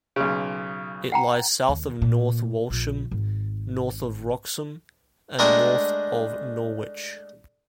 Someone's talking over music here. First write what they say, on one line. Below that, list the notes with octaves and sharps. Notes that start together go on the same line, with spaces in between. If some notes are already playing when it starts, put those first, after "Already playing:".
It lies south of North Walsham, north of Wroxham, and north of Norwich.
B1 C#3
F#5 G5 A#5
D#2
A#2
A#1
G#1
G#3 A3 D4 A#4 D#5 G5